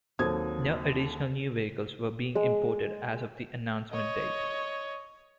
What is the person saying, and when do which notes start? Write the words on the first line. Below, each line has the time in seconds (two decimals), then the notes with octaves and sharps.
No additional new vehicles were being imported as of the announcement date.
0.19 D#2 F#3 C4 A4 D#6 G#6
2.35 G#3
3.91 C#5 D#5